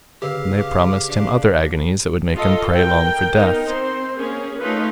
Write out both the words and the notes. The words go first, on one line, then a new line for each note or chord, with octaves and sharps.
And they promised him other agonies that would make him pray long for death.
C#3 G4 B4 F5 E6
D6
D4 F5
F4 A4 D#5
A#4 G5
B3 D#4 A#4
C4 C5
A#3 C#4 G#4
A3 C#4 D#4 F4 B4